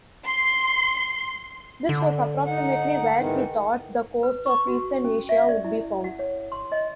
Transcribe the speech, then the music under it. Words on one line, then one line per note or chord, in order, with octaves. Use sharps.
This was approximately where he thought the coast of eastern Asia would be found.
C6
D3
D#4 F#5
G#2 D#3 E3
B4
C#6
F#4
C#4
E5
D5
E4
F#5
C#5
C6
D#5